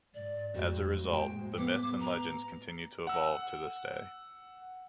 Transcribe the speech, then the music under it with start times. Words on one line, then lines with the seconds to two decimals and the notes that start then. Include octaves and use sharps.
As a result, the myths and legends continue to evolve to this day.
0.14 G#2 D5
0.54 F2 A2 G#3 A#3 F#4
1.13 C5 G5
1.58 B3 D6
2.01 A#5
3.07 F#5 E6